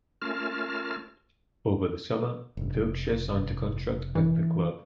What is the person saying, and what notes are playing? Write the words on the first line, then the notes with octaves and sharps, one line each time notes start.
Over the summer, Wilkshire signed a contract with the club.
A3 C#4 F4 A#4 A5 F6
F1
E3